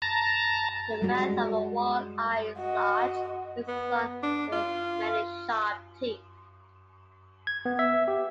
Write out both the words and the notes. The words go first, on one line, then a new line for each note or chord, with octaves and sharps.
The mouth of a walleye is large and is armed with many sharp teeth.
A5 A#5
G3 G#3 F#4
F#4 D#5
B3
D4
F4
G#6
B3
E5
G4